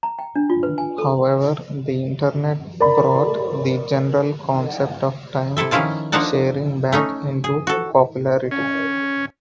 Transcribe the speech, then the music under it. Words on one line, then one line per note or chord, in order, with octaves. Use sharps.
However, the Internet brought the general concept of time-sharing back into popularity.
A#5
G5
D4
F4
B4
G#5
A4
A#4 D5 A#5 B5
C3 E4 A4 E5
D#3 F3 C#4 E4 F4 A5
F3 A#3 D4 D#4 F#5 A5
A3 C#4 D#4
G#4
F#4 A4
C#4